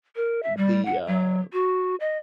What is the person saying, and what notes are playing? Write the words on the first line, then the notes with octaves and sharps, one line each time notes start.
the, uh,
A#4
E5
G3
F#5
F#3
F#4
D#5